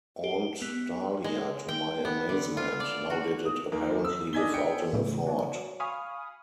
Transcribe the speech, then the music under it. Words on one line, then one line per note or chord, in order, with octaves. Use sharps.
Aunt Dahlia, to my amazement, now did it apparently without an effort.
G4
B3
G#3
G5
B3
D3
F4
D5
F#4
D#6
D#2 D#3 A#3
E6
D4 D#5 G#5 G#6 B6 G7
G5 C#7
A2 C#3 E3 F#3
F#4 C#5 D5
F5 G#5 B5 C#6 D#6 F6